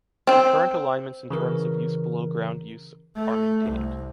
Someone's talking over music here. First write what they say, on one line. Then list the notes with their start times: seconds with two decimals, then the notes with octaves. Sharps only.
The current alignments in terms of use below ground use are maintained.
0.27 C4 C5
1.31 C#3 E3 A#4
3.16 A3
3.65 C2